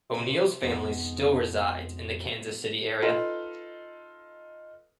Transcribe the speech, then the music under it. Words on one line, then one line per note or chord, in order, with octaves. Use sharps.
O'Neal's family still resides in the Kansas City area.
C3 B5
F2 G#2 B2 B3
D#4 F4 A4 B4